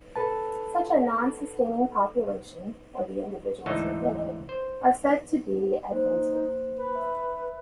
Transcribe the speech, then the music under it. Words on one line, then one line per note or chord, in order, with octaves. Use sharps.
Such a non-sustaining population, or the individuals within it, are said to be adventive.
A4 B4 A5
D2 G#2 E3 D#4 E5 A5
C5
A#3 D#4 C5
B4
E5